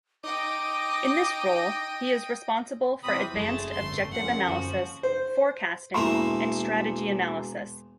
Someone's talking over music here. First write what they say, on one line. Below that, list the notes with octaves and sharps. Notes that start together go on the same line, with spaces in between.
In this role, he is responsible for advanced objective analysis, forecasting, and strategy analysis.
D#4 D#5 G5 D6
E2 C3 C4 B5 D#6
F#1 C#3 G#3 A3 A5
G#1 D2 C6
F#1 F2 A#2 C#4 F#5
F#2 D3 F3 F#4
C5
E1 A3 A#3 E4 C6